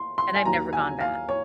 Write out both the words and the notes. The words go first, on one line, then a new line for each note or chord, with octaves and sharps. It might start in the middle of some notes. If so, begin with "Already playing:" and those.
and I've never gone back.
Already playing: C6
C6
G#5
D#2 D#3 F#3 A#5
G#5
F5
C#5